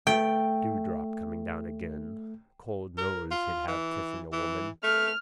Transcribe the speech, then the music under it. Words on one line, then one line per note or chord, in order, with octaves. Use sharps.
Dewdrop coming down again. Cold nose he'd have kissing a woman.
A3 G5
A#4
F4
E3
E3
A3 F6